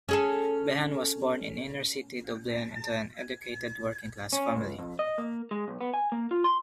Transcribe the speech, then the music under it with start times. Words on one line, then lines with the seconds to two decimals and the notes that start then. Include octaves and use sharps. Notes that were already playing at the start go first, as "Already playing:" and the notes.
Behan was born in inner-city Dublin into an educated working-class family.
0.09 C#4 G#4 A4
4.33 C#4
4.55 C#2
4.79 F2
4.99 D#5
5.18 A#3
5.51 G#3
5.68 B1
5.81 B3
5.94 G#5
6.12 A#3
6.31 F4
6.44 C6